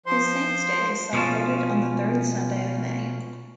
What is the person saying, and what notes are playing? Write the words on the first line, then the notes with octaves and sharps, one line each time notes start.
His saint's day is celebrated on the third Sunday of May.
F3 C5 C6
B2 F3 C4 C#4 F4 A5